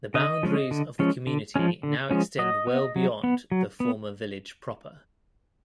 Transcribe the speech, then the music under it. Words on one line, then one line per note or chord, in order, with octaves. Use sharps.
The boundaries of the community now extend well beyond the former village proper.
D3 D#5
F3 G#3 C#4
D3
F3 G#3 C#4
D3
F3 G#3 C#4
D3
F3 G#3 C#4
F#3 D#5
B3
F#3
B3
F#3
B3